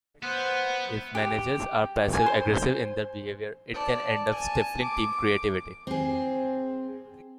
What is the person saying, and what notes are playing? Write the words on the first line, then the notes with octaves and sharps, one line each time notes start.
If managers are passive-aggressive in their behavior, it can end up stifling team creativity.
B3 C5 F#5 C6 E6
G4
G#5
C5
D5 A5
G#5 A5
D6
C4 G#4